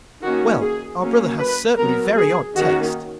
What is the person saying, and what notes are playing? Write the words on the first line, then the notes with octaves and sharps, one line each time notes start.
Well, our brother has certainly very odd taste!'
D#3 A#3 C#4 F#4
G#4
F#3 A#3 C#4
B4
F#3 B3 A#4
G#4
D#3 A#3 C#4 F#4